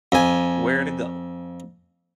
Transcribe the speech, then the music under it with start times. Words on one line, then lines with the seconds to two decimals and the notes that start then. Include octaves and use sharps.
where to go,
0.12 F2 G#5